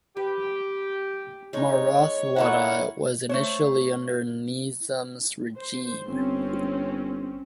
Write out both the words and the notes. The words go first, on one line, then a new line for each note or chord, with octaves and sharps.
Marathwada was initially under Nizam's regime.
G4 B4
G#3 D#4 C#5
A3 A#3 E4 F#5
A3 C5 C#5
C5
G1 C4 C#4